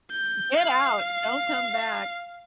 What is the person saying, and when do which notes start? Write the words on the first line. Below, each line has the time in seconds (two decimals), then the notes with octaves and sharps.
Get out, don't come back.
0.11 G6
0.57 F5